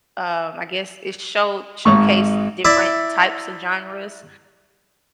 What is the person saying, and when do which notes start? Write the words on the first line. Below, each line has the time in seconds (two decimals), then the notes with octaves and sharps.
um, I guess, it show showcase different types of genres
1.85 G#1 G#2 C#6
2.65 E4 D5 E5